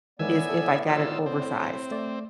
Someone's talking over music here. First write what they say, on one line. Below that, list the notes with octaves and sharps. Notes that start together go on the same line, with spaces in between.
is if I got it oversized,
A2 D#3 E3 G#3 B3 D5 E5 G#5
A4
D#3 F4 E6
C4
A3 D5